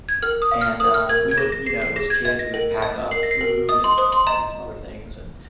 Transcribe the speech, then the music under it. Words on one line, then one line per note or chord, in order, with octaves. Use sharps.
And, um, we would, you know, as kids, we would pack up food and maybe some other things and
G#6
A#4 F6
D#6
F5
F6
A#4 D#6
F6
A#4 G#6
G#6
G#4 A#6
A#6
G#4 C7
C7
G#4 A#6
G#6
D#5 G#6
A#6
A#4
D#5
A#4 C7
A#6
C7
A#4
D#5 D#6
C6
C5 D#6
C6
D#5 A#5